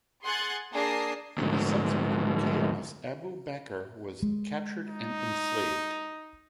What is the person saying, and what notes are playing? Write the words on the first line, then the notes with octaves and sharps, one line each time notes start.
In the subsequent chaos Abu Bakr was captured and enslaved.
G#4 F#5 C6 F#6 G#6 A6
A#3 D4 G#4 A5 A#6 C7
D2 G#2
G#3
D#4